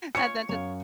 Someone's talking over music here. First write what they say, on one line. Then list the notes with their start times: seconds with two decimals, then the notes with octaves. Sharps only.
and then, ju
0.15 C#4 F4 C#5 C#7
0.49 F#2 C#5 F5